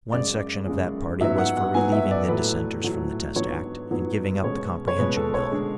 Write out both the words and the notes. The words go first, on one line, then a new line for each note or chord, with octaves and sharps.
One section of that party was for relieving the dissenters from the Test Act, and giving up the Comprehension Bill.
F#2 C#3 G#3 D5
F#2 C#3 G#3
G#2 F#3 B3 E5
F#5
F#5
G#2 F#3 B3 G#5
E5
D5
A2 F#3 A3 B4
A2 F#3 A3
G#2 F#3 B3 D4 C#5
G#2 F#3 B3 D4
B2 G#3 C#4 C#5
C#5
B2 G#3 C#4 B4
A4
C#5
D3 G#3 D4